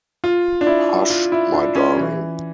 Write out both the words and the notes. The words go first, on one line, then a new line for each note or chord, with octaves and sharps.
Hush, my darling!
F4
D4
E4
F4
E4
D4
C#4
E3